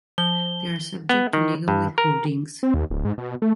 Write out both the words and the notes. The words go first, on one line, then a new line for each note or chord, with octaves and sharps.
They are subject to legal withholdings.
F3 G7
B3
D#3
G2
A#4
C4
D#2
D1
G#2
B2
A3